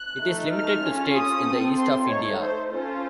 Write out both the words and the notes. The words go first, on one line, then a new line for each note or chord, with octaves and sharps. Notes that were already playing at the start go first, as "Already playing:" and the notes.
It is limited to states in the East of India.
Already playing: F#6
A3 D#4 A4
F6
C#4 F4 A4
D#6
C4 F4 A4
C6
A3 D#4 A4 C#5
C5
C#4 F4 A4 C5